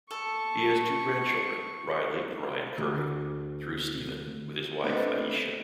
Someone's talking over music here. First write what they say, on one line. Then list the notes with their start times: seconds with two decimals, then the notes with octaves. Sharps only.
He has two grandchildren, Riley and Ryan Curry, through Stephen, with his wife Ayesha.
0.11 A4 C#6
2.78 D2
4.84 A3 B3 C4 D4 D#4